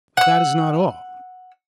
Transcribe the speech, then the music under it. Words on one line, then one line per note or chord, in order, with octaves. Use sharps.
But that is not all.
F#5 E6